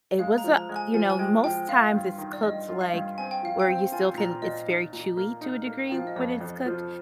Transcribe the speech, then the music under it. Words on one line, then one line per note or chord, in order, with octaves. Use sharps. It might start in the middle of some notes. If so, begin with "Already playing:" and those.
it was a uh, you know, most times it's cooked like where you still can it's very chewy to a degree when it's cooked
G#3 F5
A#5
F3
A#5
G#3
G#5
F3 G#5
G#5
G#3 G5
F3 G5
F4 F5
G2
D#3
D5
G2 D#5
F4
F5
G2
C4 G#5
G5
F3 F5
G5
C4
F4 G#5
A#2 A#5
A#2 D#5
D#4
A#2
A#3
D#4
A#3
F3 G5
F5
D#5
F2 D5
F2
F3